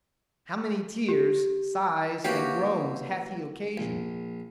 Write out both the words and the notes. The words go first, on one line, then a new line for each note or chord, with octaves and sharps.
How many Tears, Sighs and Groans hath he occasion'd?
G4
E3 A#3 C#4 F#4 G4
A#1